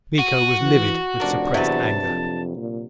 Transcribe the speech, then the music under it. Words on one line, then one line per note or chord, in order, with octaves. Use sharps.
Miko was livid with suppressed anger.
F#4 D#7
E3 F#5
F1 D4 A#4
E2 C3 F#3 B4 A5
F2
A#2